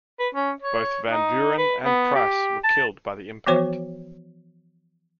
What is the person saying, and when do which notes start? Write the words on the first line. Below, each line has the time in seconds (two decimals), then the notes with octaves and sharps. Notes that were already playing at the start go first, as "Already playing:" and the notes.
Both Van Vuuren and Pryce were killed by the impact.
0.19 B4
0.35 C#4
0.62 C#5
1.10 D#4
1.58 B4
1.85 B3
2.15 G4
2.64 A5
3.46 E3 F3 B3 F#4 C5 C#5